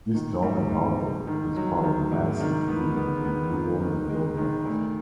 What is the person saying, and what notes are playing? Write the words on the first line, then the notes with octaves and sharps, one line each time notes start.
East Darling Harbour is part of a massive urban renewal development.
D#3
G#2
G#2
G#2
D#3
F#3
D#3
G#2
D#3
B3
B3
B3
D#3
D#3
G#3
D#3
D2